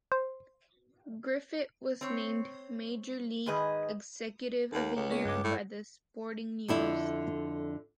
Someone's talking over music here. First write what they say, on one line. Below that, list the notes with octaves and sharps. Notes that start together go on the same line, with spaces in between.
Griffith was named Major League Executive of the Year by The Sporting News.
C5
C4 C#5
G#2 D#3 G#4 B4 D#5
D#2 A4 F#5 A#5
C#2
A#3 B3 C#5
G2 G#3 D6
A2
F2 D3 E4